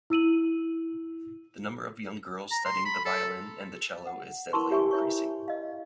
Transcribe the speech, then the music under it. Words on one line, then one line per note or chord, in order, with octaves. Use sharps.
The number of young girls studying the violin and the cello is steadily increasing.
E4 E6 D#7 F#7
A#5
C6
B5
A4
F#5
E4 A#4 B4 A5 C6 C#6
G4 C#5 E5 G#5 C#6
E4 C#5 C#6
D#5 F5